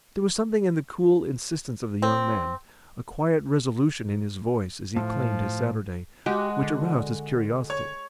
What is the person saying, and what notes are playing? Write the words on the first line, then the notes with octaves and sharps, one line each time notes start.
There was something in the cool insistence of the young man, a quiet resolution in his voice as he claimed his Saturday, which aroused his curiosity.
C4
A2 F3
G#3 F#4 G4
D3
C#5